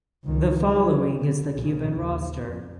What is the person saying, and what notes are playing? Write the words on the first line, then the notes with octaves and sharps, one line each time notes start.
The following is the Cuban roster.
C#2 D#3
F#3
D3
A#1 C#3
D#2
F2